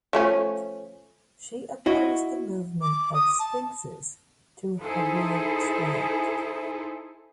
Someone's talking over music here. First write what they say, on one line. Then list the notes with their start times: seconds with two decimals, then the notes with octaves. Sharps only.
She opposed the movement of sphinxes to Tahrir Square.
0.13 F3 A3 C#4
1.86 E4 F#4 D#5
2.82 D6
3.14 D#6
3.39 A5
4.81 D#4 E4 G#4 A4 C5